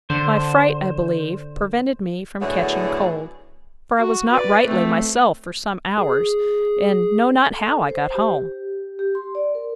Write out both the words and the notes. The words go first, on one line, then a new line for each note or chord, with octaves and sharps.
My fright, I believe, prevented me from catching cold: for I was not rightly myself for some hours, and know not how I got home.
D3 C5
A2 D3 F#3 B3 E4 G#4
F#4
B4 D5
A3 C4
G#4
A4
C5
G4
G4
C6
D5
A#4